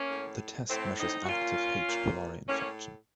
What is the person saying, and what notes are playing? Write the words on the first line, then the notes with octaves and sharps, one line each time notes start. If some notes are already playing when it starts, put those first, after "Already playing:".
The test measures active "H. pylori" infection.
Already playing: A#3 C#4
A2
A2 A3 C4
C4 D#4
F#4
A#2 C#4 F4
A#2
A2 A#3 C#4